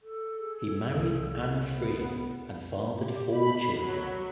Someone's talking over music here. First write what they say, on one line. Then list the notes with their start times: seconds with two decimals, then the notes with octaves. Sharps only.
He married Anna Friel and fathered four children.
0.01 A4
0.38 G#4
0.97 C2
1.70 B3
3.01 G4
3.35 B5
3.83 F#3